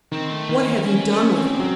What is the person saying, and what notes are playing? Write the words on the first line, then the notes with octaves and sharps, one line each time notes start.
What have you done with her?
D#3 C4
A3
D#3 E3
E3
E3 C#4
A3
C#4
C4
F#3